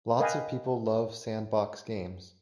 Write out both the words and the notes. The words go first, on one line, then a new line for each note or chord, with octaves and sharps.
Lots of people love sandbox games.
A#4 B4 D#5 F5 G5 G#5